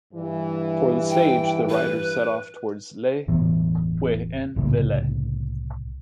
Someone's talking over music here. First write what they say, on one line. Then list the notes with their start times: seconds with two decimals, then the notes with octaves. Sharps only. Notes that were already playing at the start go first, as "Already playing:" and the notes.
For the stage, the riders set off towards Le Puy-en-Velay.
0.13 G2 E3
1.10 G5
1.70 B4
3.27 E1 A2 E3 B3
4.56 C2 A2 C#3 A#3